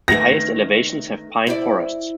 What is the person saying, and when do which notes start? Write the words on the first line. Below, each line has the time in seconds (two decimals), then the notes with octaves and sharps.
The highest elevations have pine forests.
0.08 D#3 A3 B3 A#6
1.47 E4 C5 D5